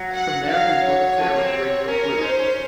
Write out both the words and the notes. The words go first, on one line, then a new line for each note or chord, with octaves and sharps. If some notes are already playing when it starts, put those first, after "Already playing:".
From there his love affair with radio grew.
Already playing: F#3
F#5
F#3 F5
C#5
F3
A3
A#3
C4
C#4 A#4
C#4
D#4
C#4 C5
C#4